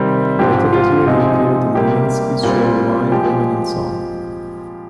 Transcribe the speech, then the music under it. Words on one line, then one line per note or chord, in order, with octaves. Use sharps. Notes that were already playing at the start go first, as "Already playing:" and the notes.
Later that year, he appeared in the Minsky's show Wine, Women and Song.
Already playing: C3 D#3 G3 C4
G#2 F3 C4 G4
F4
C3 F3 G#3 D#4
D#4
C3 G3 A#3 G4
A#2 G3 C4
F3 G#3 G4